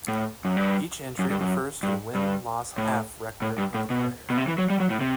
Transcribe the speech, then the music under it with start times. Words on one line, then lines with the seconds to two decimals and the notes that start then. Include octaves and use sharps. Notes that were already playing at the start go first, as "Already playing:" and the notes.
Each entry refers to the Win-Loss-Half record of the player.
0.08 A2
0.45 F#2
0.57 G2
1.19 F#2
1.30 G2
1.41 F#2
1.83 G2
2.15 G2
2.78 A2
3.42 A2
3.58 G2
3.75 A2
3.90 B2
4.30 B2
4.37 C3
4.48 E3
4.58 F#3
4.70 G3
4.80 F#3
4.90 A2
5.01 C3